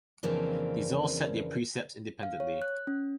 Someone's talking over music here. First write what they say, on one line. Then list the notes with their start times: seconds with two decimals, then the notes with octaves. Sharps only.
These all set their precepts independently.
0.23 F2 C#3 E3 A#3 C4 D4
2.23 F5
2.40 C#5
2.62 F#6
2.87 C#4